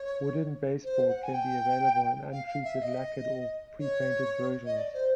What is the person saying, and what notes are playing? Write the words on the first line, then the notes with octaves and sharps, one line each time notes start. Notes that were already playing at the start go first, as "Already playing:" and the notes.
Wooden baseboard can be available in untreated, lacquered or prepainted versions.
Already playing: C#5
C5
F#5
G#5
G5
F5
F5
E5
D#5
C#5
D#5
D5
C5